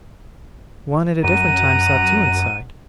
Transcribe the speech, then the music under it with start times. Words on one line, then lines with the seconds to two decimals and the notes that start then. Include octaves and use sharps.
One at a different time saw two inside.
1.24 F#2 F#5 A#5 D#7